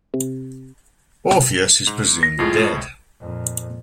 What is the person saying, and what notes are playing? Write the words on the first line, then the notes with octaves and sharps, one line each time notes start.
Orpheus is presumed dead.
C3
G#2
A#6
F2 A2 G#3 F4
F2 A#2